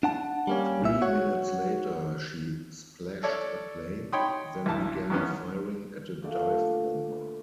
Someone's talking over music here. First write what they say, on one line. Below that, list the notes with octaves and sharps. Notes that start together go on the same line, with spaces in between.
Three minutes later, she splashed a plane, then began firing at a dive bomber.
D4 F#5 A5
G3 A#3 C#4
C2 A#2 E5
F#4 C#5 F#5
A4 C#5 D5
D#4 C#5 G5 B5 C6 D#6
B1 E3 A5
E2 G2 D#3 B3 C#4
A#2 D3 A3 D5